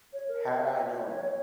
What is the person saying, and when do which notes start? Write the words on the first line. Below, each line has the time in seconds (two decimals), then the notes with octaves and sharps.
Had I known!
0.13 C#5
0.28 A#4
0.45 D#5
0.61 C#5